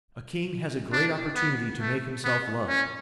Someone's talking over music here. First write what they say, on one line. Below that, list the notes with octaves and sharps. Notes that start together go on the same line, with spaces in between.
A king has a great opportunity to make himself loved.
D4
B3
A3
B3
C#4